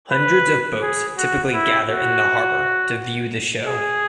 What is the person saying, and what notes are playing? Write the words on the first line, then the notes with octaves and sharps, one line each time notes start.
Hundreds of boats typically gather in the harbor to view the show.
B4
G#4
F#4
E4
F#4
G#4